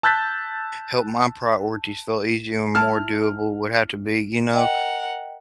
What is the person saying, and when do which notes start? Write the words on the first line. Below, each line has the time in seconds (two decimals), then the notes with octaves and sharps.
help my priorities feel easier and more doable would have to be, you know,
0.03 A5 E6 F#6 G6 A6 B6
2.75 E4 A5 F6
4.54 A#4 D#5 F#5 G5